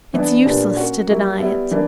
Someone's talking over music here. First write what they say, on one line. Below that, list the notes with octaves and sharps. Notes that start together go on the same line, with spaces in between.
It's useless to deny it.
E3 B3 D4
A#2 A#3 D4 G4 B4
A#3 C#4 F#4
F#3 A#3 E4 G4
G3 B3 E4
E3 A#3 D4